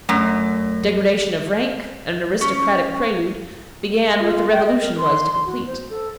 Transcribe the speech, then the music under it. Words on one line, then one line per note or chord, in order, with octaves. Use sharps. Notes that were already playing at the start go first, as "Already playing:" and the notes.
Degradation of rank, an aristocratic prelude, began what the revolution was to complete.
F#2 A3 A#6
C#4
F4
G5
D#5
A#4
C6
C6
F#4
C5
A4